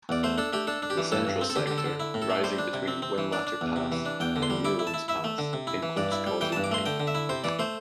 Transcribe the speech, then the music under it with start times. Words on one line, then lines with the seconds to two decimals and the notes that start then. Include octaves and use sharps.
The central sector, rising between Whinlatter Pass and Newlands Pass, includes Causey Pike.
0.09 E2 D5
0.23 A3 C5
0.38 D4 A4
0.53 A3 G4
0.67 D4 A4
0.82 D4
0.90 G4
0.97 E3
1.12 G2 A4
1.27 G2
1.41 C4
1.50 A4
1.56 D3 G4
1.67 D3 G4
1.78 A4
1.85 D3
2.00 E4
2.14 A2
2.22 A4
2.30 A3
2.44 G3 C5
2.58 D4
2.73 C3
2.88 C4
3.02 C4
3.18 E3
3.32 D4 D5
3.47 D4
3.61 E2
3.76 C3
3.92 E3
4.05 D4
4.20 E2 G5
4.36 D3
4.43 C6
4.50 G3
4.64 E4 D6
4.79 E4
4.87 A5
4.94 E4
5.08 E4 E5
5.24 A3
5.38 D3
5.53 C3
5.67 E4
5.83 E3
5.97 G2 D5
6.12 E4
6.27 G3
6.41 E3 G5
6.52 A5
6.56 G2
6.64 D6
6.71 A3 C6
6.85 D3 G5
7.00 D3
7.07 E5
7.15 E4
7.29 C3 C5
7.44 E3 D5
7.59 A3 C5